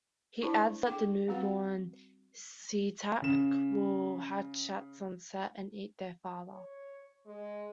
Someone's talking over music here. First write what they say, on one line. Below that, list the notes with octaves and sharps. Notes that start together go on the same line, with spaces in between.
He adds that the newborn Sleestak will hatch at sunset and eat their father.
D4 E4 C5 D5 A5 B5
D4 G#4 A4 G5 D6
G3 C4 F#4 B4 F#5
C#3 E7
C#5
G#3